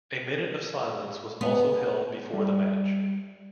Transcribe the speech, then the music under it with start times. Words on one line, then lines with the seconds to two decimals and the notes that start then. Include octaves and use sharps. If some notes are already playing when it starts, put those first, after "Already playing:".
A minute of silence was also held before the match.
1.41 B3
2.33 G3